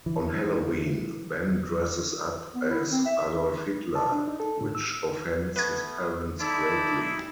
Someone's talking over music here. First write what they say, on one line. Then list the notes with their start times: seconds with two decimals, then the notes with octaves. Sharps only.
On Halloween, Ben dresses up as Adolf Hitler, which offends his parents greatly.
0.06 E3
2.55 B3
2.70 E4
2.91 C4
3.05 E5
3.95 A5
4.12 D4
4.28 D#4
4.40 A4
4.61 A2
4.75 E6
5.56 A3 B3 B4 G#6
6.40 D#4 E4 A4 D5